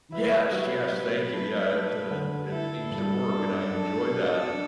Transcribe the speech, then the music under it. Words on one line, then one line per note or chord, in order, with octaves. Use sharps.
Yes, yes, thank you. Yeah, it, uh, it seems to work and I enjoy that,
E4 B4
F#3
F#3
A3
A3
D3
E4 A4
G2
D4
D4
F#3
D4